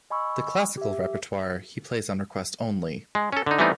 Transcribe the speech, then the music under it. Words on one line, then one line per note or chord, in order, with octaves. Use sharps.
The classical repertoire he plays on request only.
D#5 G#5 B5 C#6 E6
G4 E5
G#3
C#4 A4
D3 D#4
E3 G3 A3 B3 C4 D#4